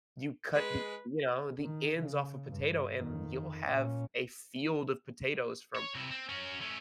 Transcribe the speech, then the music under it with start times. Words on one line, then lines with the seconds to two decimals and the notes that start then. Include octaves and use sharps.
You cut the you know, the ends off a potato, and you'll have a field of potatoes from
0.53 G#3 B4
1.63 D#3
1.98 C#3
2.48 G2
2.94 F2 D#3
3.68 A#2 C#4
5.75 C#5
5.95 C3 E4
6.11 C4
6.29 C#4 F#4
6.61 A3 C#4